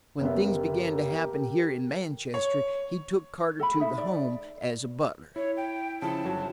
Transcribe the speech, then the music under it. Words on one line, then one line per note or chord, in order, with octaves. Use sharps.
When things began to happen here in Manchester, he took Carter to the home as a butler.
F#1 B3 G4 A4 A#4 E5
C#5
A4 F#5 B5
D#4 E5
D5
E4 C#5
G5
C#3 F3 E4 A5
G1 F#3